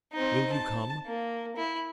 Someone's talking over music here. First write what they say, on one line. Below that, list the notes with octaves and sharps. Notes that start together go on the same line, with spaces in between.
Will you come?
C4 D#4
A5
A#3
E4